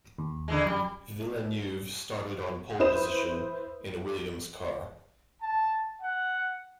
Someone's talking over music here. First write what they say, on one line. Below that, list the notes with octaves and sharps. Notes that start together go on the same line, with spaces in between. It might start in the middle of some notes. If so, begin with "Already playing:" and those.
Villeneuve started on pole position in a Williams car.
D#2
D3 E3 G#3
F#2 G3
E4 B4 C5 D#6 E7
A5
F#5